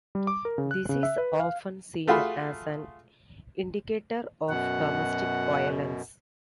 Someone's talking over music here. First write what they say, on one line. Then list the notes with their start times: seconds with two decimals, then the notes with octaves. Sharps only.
This is often seen as an indicator of domestic violence.
0.15 G3
0.27 D6
0.45 A#4
0.58 C#3
0.71 F#6
0.89 C#3
1.03 E5
1.18 B4
1.40 F5
2.08 A3 F4 F#4 G#4 B5
4.49 F#2 B2 F#5